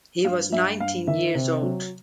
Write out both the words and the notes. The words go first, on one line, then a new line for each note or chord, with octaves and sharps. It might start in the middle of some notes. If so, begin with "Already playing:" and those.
He was nineteen years old.
G2 F5
G2 E5
G2 F5
D#3 E5
C3
F#3